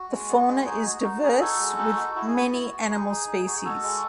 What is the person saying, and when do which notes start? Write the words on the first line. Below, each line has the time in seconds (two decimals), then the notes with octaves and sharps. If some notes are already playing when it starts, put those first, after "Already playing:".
The fauna is diverse with many animal species.
Already playing: F#4
0.10 G#3
0.29 B3
0.49 G#3
0.66 D#4 G#4
0.86 F#4
1.03 D#4 F#4
1.22 D#4 G#4
1.40 D#4 F#4 A4
1.59 G#3
1.78 D#4
1.97 F#4
2.15 E4 F#4
2.27 G#4
2.35 B3 F#4
2.52 E4
2.72 B3
2.90 D#4 G#4
3.09 D#4
3.27 D#4
3.46 D#4 F#4
3.57 G#4
3.65 F#4 A4
3.83 G#3